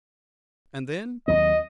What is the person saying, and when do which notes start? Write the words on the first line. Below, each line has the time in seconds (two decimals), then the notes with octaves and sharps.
"And then?"
1.28 D#2 F#3 C4 D#5